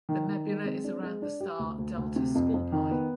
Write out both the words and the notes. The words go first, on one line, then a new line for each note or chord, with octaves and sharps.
The nebula is around the star Delta Scorpii.
D#3
D#3
G#3
C4
D4
G#3
D4
G4
D2
D2
D2
C3
F2
F2
D#3
B3